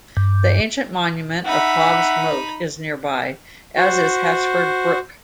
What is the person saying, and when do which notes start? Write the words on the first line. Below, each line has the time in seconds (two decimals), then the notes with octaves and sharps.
The ancient monument of Hob's Moat is nearby, as is Hatchford Brook.
0.17 G2
1.45 D#4 E5 F#5 B5
3.77 F#4 C5